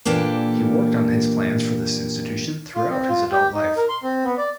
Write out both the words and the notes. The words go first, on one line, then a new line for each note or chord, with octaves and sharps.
He worked on his plans for this institution throughout his adult life.
A#2 E3 A#3 D4 G4 A4
F4
C4
F4
G4
D#4
A#4
C6
C4
B3
D5